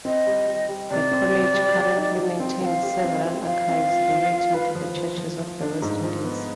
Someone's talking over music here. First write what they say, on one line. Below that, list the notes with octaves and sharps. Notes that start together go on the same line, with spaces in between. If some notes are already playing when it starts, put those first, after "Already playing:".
The college currently maintains several archives relating to the churches of the West Indies.
C4 D#5
G3
G3
G3
C3 D5
C4
C3
G3
G4
D#4
F3
C4
C4 F5 G5
G4
C4
C4
F3 F5
C4
F4
F3
F4
B4
F3
F3
F3
F3
D4
G#2
F3
B3